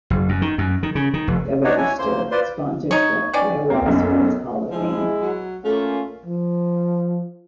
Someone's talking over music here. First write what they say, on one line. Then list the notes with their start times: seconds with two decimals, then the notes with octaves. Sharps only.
The "Register" sponsors the Iowa Sports Hall of Fame.
0.10 F#1
0.29 F#2
0.42 D#3
0.58 F#2
0.83 D#3
0.95 C#3
1.14 D#3
1.28 F1
1.64 D4 D#4 F#4 C#5
1.77 E4 C#5 G#5
1.99 D2 A#3 C5 C6
2.31 F4 B4 C5 D5 C6
2.91 D#4 C#5
3.33 D#3 C#4 D5
3.70 A#3 C4
3.86 B1 F#2
4.71 F3 G#3 E4
5.21 F#3
5.65 A3 A#3 C#4 F4
6.26 F3